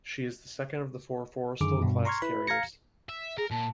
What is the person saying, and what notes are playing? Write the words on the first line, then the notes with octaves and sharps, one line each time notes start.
She is the second of the four "Forrestal"-class carriers.
F#2 D3 D#3 G#4 D6
G2 B2
A#5 C6 C#6 F6 G#6
E4 B4 B5
F5 A#5 G#6 A#6 C#7
E5
G#4 A#4
A#2 A5